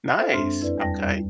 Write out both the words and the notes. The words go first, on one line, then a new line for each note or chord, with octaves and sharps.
Nice, okay.
A4 C5 E5
F#2 G#3 C4 D4 C6 F6
F2 E4 B4 D5
E2 G3 G5 A5 A#6
G3